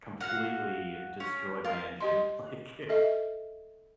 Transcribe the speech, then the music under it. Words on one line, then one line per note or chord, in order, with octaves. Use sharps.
completely destroyed my engine, like, it
F#4 F5 F#5
C#4
F4 A#4
G4 D#5 C6
A4 D#5 E5